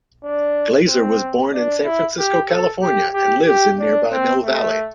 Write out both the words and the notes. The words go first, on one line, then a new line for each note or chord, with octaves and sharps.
Glaser was born in San Francisco, California and lives in nearby Mill Valley.
D4
C4
D4
E4
G4
A4
G4
G4
G4
D4
C4
A3